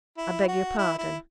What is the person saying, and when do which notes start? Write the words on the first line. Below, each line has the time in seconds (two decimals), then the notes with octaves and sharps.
I beg your pardon.'
0.17 E4
0.48 F#4
0.78 E4
0.98 E4